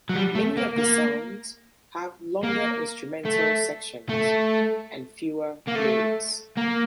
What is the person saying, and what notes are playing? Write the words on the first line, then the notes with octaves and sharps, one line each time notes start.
Many of the songs have longer instrumental sections and fewer lyrics.
F#3
G3
A3
A#3
A#3
A#3
A3
A3
A#3
A3
A#3